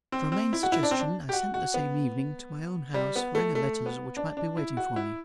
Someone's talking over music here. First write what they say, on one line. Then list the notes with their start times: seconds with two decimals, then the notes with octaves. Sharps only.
At Romayne's suggestion, I sent the same evening to my own house for any letters which might be waiting for me.
0.12 C4
0.32 C4
0.53 E4
0.63 F#4
0.72 E4
0.83 D4
0.91 C4
0.99 D4
1.29 G4
1.33 F#4
1.54 F#4
1.74 B3
2.94 G3
3.16 B3
3.35 A3
3.55 A3
3.86 B3
4.17 D4
4.37 D4
4.57 E4
4.77 F#4
4.96 E4